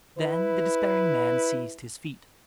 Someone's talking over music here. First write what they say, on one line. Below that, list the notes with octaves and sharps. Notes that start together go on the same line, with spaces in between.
Then the despairing man seized his feet.
E4 B4